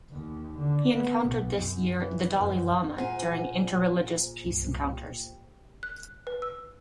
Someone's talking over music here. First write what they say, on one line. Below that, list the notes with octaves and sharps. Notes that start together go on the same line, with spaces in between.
He encountered this year the Dalai Lama during inter-religious peace encounters.
D#2
D3
B3
B1
F#2
E3
F#2
A#2 G#4 C5 F#5
C2 G2 G3
G4
F#6
B4
E6